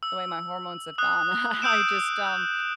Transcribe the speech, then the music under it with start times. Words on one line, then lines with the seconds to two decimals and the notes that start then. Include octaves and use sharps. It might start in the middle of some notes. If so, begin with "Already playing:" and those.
the way my hormones have gone, I I just, um,
0.03 E6
0.98 D#6 F#6
1.62 D#6 E6 G6 D7 E7